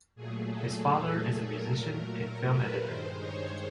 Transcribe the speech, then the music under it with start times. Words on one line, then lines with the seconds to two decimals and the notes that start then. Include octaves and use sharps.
His father is a musician and film editor.
0.15 A#2 F#3 A3 G#4
0.49 A4
1.50 A#2 F#3 A3 A#4
1.84 A#4
2.52 B4
2.85 G2 D#3 G#3 C5
3.18 C#5